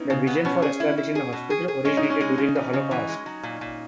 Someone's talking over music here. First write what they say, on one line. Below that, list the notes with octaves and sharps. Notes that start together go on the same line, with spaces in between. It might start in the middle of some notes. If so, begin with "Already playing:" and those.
The vision for establishing the hospital originated during the Holocaust.
Already playing: B3 C#4 D#4 E4
C#3
B3
B2 C#4
G#4
E4
E4
G#4
B2
G#4
G#4
G#3 C#4
D#4
G#3
C#4
G#3
C#3
E3
C#3
E3
G#3
F#3
A#2
A#2